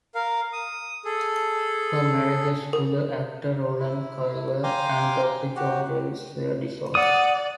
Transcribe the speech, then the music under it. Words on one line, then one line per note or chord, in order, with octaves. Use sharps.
Her marriages to the actor Roland Culver and Doctor John Janvrin were dissolved.
A#4 F5
D#6
G#4 A4
A#4
E4
F5 G5 G#5 A#5 C6 D6
F#4 G4
D5 F#5 D#6